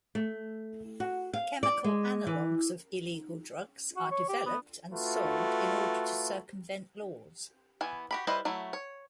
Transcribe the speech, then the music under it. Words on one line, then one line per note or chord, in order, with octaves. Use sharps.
Chemical analogues of illegal drugs are developed and sold in order to circumvent laws.
A3
F#4
F5
D5
G#3
E3
F#4
C#5
G4
B3
A3 F4 F#4 B4
E3 B3 G#5
F#4 G4 B5
G3 E4 B4 C5 D#5
F#3 A3 E4
C#5